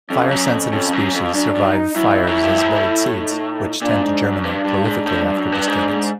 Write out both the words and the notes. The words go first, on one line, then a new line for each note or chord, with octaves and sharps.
Fire-sensitive species survive fires as buried seeds, which tend to germinate prolifically after disturbance.
F2 C#4
F#2
F2
F2
F#2
F2
F#2 D4
F#2
D#4
F#2 E4
F2
F#2
G2
A2
G#2
A2
D#4
A#2 D4
G#2
F#2
G2 D4
G2
G#2
A2
G2
F#2
G2
G#2
G#2